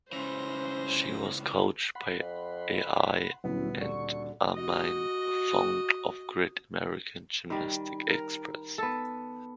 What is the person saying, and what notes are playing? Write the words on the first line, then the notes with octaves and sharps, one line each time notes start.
She was coached by Al and Armine Fong of Great American Gymnastic Express.
C#2 E3 C#4 C5 B5 C6 A#6
F#5 B5 C6
F2
D#1 D2 F#3 B3 C#4 E4
D3 C#6
F#4 D#5
D#3 G3
A#4
B3 A4